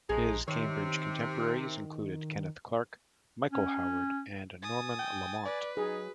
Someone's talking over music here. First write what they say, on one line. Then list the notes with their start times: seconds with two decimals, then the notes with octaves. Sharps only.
His Cambridge contemporaries included Kenneth Clarke, Michael Howard and Norman Lamont.
0.09 A#1 F3 G#3 D#4 G#4
0.48 C3 D#3 C#5
3.52 C#4
4.62 G#5 D#6 A6
4.99 G5
5.45 B4 D5
5.77 F#3 D#4 G#4